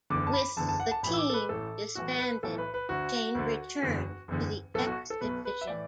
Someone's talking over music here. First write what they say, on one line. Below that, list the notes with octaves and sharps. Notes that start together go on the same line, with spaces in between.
With the team disbanded, Shane returned to the X Division.
F#1 E2 D3 D6
A5
B5
F#1 E2 D3 A5
A5
F#5
A5
A1 A2 E3 B5
E6
D6
A4
B4
A1 A2 E3 A4
B1 A2 E3 F#4
B4
B1 A2 E3 A4
B4
B4
D2 D3 F#4
D2 D3
F#1 E2 D3
F#1 E2 D3
B1 A4
B2
F#4
A4
B1 B2 B4
B4
E5
A2 E3 D5